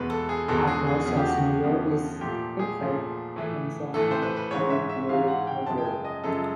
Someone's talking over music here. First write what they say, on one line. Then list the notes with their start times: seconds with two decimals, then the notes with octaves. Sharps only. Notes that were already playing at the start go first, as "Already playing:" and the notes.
Arnold Schwarzenegger is, in fact, himself a cold blooded murderer.
Already playing: E2 B2 G#3 B4
0.10 A4
0.29 G#4
0.48 E2 B2 G#3 A4
0.67 G#4
0.87 G#4
1.06 E2 C#3 F3 A3 G#4
1.17 G4
1.27 F#4
1.37 G4
1.64 E2 C#3 F3 A3
2.21 A#2 F3 A3 G4
2.59 G#4
2.79 A#2 F3 A3
3.36 A2 E3 A3
3.94 A2 E3 A3 A4
4.11 C5
4.22 B4
4.36 B4
4.51 G#2 E3 G#3 C#5
4.70 E5
4.89 E5
5.09 G#2 E3 G#3 F5
5.28 F#5
5.47 G5
5.66 F#2 C#3 F3 G#3 A5
5.78 G5
5.85 G#5
6.04 D#5
6.24 F#2 C#3 F3 G#3 A4